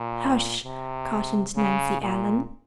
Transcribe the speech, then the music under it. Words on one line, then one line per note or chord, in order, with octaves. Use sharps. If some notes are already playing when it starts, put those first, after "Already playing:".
"Hush!" cautioned Nancy Ellen.
Already playing: A#2
C3
C#3
A#2